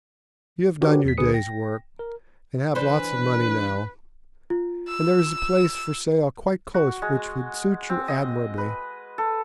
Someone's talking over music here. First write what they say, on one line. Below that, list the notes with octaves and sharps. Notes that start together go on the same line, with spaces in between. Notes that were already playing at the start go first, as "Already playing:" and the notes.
You have done your day's work, and have lots of money now, and there is a place for sale quite close which would suit you admirably.
D4 F#4 G4 A#4 B4 C#5
E2 B6
C#2 D3 G#4 B4 D#6 C#7
G5 A#6
A#4
E3 D4 B4 C5
F4
E6
F#4
G#3
C4
D#5
B4
A4